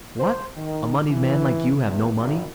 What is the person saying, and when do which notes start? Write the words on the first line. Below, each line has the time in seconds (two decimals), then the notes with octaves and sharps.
"What! a moneyed man like you have no money?"
0.20 C5
0.57 D#3
1.10 E3
1.88 E2
2.19 G#1